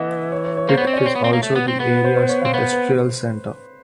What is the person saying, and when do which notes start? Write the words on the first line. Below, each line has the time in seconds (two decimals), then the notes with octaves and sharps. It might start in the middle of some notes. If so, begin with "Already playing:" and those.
It is also the area's industrial centre.
Already playing: E3 D#5 E5 F#5
0.32 C#5
0.44 C#5
0.57 C#5
0.69 A#3 C5
0.78 B3 C#5
0.87 C4
0.93 C#4 D5
1.05 C4 C#5
1.15 B3
1.24 C4
1.33 A#3
1.43 A3
1.56 B3
1.68 C4
1.80 B3 B4
2.04 C5
2.17 C5
2.29 C#5
2.42 C4 F5
2.54 B3 C5
2.72 B4